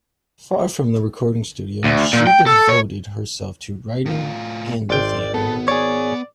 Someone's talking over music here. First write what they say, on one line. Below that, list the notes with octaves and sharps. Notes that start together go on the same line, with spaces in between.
Far from the recording studio, she devoted herself to writing and the theatre.
D2
A#2
G5
A4
C#5
A2 F4
G#1 D5 G5 C6
B3 A4
G#4 C#5 D5